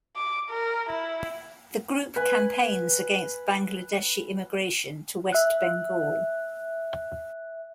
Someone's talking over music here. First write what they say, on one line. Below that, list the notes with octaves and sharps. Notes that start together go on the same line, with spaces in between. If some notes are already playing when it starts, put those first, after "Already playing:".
The group campaigns against Bangladeshi immigration to West Bengal.
D6
A#4
E4
B4 G#5
E5 F#6